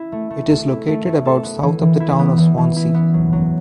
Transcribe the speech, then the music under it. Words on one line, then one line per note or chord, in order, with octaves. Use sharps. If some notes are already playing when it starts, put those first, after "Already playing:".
It is located about south of the town of Swansea.
Already playing: E4
A3
A3
A4
E4
A3
A3
A4
B3
E3
E3
E4
B3
E3
E3
E4
B3
F#3
F#3